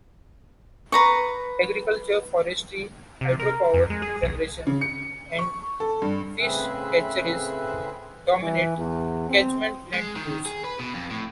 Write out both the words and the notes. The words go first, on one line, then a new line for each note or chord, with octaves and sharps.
Agriculture, forestry, hydropower generation and fish hatcheries dominate catchment land use.
B4 A#5 C#6
C3
A#4
F2
G#3
G#4
B1
C#3
C#7
C#6
A4
G2
A2 C#3 C4 G#4 B4 E5
E3
E2
C4
G#3
D#3
G#4
B4
B2
F2
A2